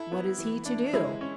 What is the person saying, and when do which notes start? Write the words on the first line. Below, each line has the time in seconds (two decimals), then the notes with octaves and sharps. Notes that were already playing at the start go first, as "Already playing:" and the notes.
What is he to do?
Already playing: E4 A4
0.12 B3
0.38 E3
0.66 D4
0.93 G#3 E4
1.21 C#4